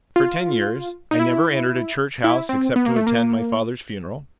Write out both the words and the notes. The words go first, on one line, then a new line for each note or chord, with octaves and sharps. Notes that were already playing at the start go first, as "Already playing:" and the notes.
For ten years I never entered a church house except to attend my father's funeral.
F4
D#4
E4
E4
C4
B3
A#3
A3
A#3